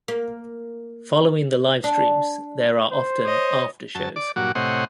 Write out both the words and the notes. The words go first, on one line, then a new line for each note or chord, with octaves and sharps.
Following the live streams, there are often "after shows".
A#3
D4
C5
C#5 D#5
F#2 A5
D5 D6
G2 A#2 F#3 F#4 D6
A2 C3 C5 C#5 D#5 F#5